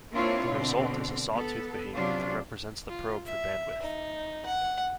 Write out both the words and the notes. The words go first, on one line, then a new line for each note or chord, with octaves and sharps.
The result is a saw-tooth behavior that represents the probe for bandwidth.
A#3 C4 D4 E4 F4 C#5
B2 D3 C4
B3 A4
C3 F#3 C#4 D4 F4
F4
E5
D#4
F#5